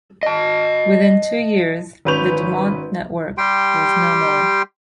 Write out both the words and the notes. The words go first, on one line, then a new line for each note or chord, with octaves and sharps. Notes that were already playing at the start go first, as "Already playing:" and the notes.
Within two years, the DuMont network was no more.
D#5 A5
G#1 C#4 B4 C#6 G6 F7
G3 G4 G5 C6